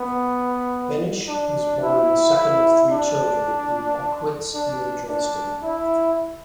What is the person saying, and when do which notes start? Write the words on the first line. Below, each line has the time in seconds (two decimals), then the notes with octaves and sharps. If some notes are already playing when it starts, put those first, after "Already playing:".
Behnisch was born the second of three children, in Lockwitz near Dresden.
Already playing: B3
1.28 D4
1.83 E4
2.37 E4
2.91 D4
4.54 D4
5.09 D4
5.63 E4